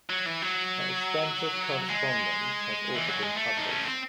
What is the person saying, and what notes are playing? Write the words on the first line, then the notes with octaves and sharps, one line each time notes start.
Her extensive correspondence has also been published.
F#3
E3
F#3
G#3
E3
F#3
G#3
A3
D#4
C#4
C4